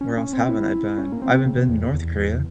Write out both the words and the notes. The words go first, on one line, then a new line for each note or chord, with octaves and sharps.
where else haven't I been? I haven't been to North Korea.
C#4
C#4
C4
E4
C#4
A#3
C4
C#3
C3
E2
F2
E2